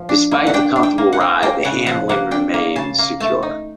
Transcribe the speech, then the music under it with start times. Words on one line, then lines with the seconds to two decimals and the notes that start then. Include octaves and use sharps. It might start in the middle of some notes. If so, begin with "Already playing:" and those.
Despite the comfortable ride, the handling remained secure.
Already playing: F3
0.09 D4
0.31 A#3
0.47 F#5
0.54 D4 G5
0.76 D4
0.83 G5
0.98 A#3
1.13 F#5
1.20 A#3
1.42 A#3 G5
1.65 C#3 F#5
1.86 F3 F#5
2.09 A#3 F#5
2.31 D4 G5
2.54 A#3
2.76 C#3 A5
2.98 A#3
3.20 A3 A5
3.43 D#4